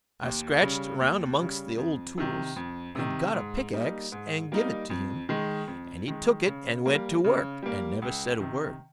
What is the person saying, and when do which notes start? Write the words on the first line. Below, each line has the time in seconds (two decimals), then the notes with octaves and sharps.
I scratched around amongst the old tools, and got a pickaxe and give it to him, and he took it and went to work, and never said a word.
0.23 D#2
0.61 C#3 G3
1.01 D#2
1.39 C#3 G3
1.78 F2
2.18 C3 D#3
2.56 F2
2.95 C3 D#3
3.35 G#2
3.73 G3 A#3 D#4
4.12 G#2
4.52 G3 A#3 D#4
4.90 F2
5.29 D#3 G#3
5.68 F2
6.08 D#3 G#3
6.46 C#3
6.86 G3 A#3
7.24 C#3
7.63 G3 A#3
8.02 C#2
8.41 C3 D#3